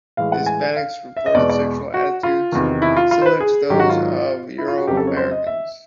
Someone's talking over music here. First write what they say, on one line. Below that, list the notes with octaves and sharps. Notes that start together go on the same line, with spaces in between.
Hispanics reported sexual attitudes similar to that of Euro-Americans.
A2 E3 G#3 F5
F#5
G#5
F5
E5
D#5
E2 B2 G#3 D5
D5
F#4
F4
E2 C3 D#3
E4
F4
F4
C5
B4
G#4
G#2 D#3 F#3 G4
F#4
F4
E4
F4
F#4
F2 C#3 F#3 G4
A4
C#5
C5
D#5
E5